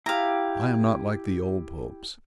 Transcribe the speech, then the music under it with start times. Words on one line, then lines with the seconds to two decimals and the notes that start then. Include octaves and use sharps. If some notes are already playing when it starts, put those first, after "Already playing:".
I am not like the old Popes.
0.06 E4 G4 F5 A#5